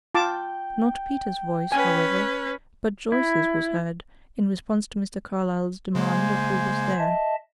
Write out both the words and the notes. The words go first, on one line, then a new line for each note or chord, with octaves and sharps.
Not Peter's voice, however, but Joyce's was heard, in response to Mr. Carlyle's demand of who was there.
F4 G5 A5 D6
C#4 B4 G#5
E4
C#3 G#3 A#3 C5 G#5
D#5 E5 A5